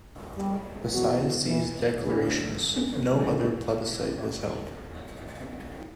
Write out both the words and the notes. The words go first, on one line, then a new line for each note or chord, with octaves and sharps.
Besides these declarations, no other plebiscite was held.
G3
E2 B2 F#3
E3
D2 D3 E3
D2 C#3 E3 G3